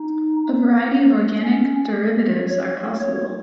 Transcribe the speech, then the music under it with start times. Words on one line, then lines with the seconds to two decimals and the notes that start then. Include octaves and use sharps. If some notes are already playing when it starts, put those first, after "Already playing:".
A variety of organic derivatives are possible.
Already playing: D#4
1.44 C#4
2.48 C#5
3.00 C#5